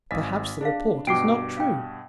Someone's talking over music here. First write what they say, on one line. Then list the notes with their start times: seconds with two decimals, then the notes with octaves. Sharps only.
Perhaps the report is not true?
0.11 G#1 D#5 F5 G#5 B6
0.61 D4 G#4 D#5 F5
1.07 G2 B2 G5 D6 C7 D7
1.57 F5 G5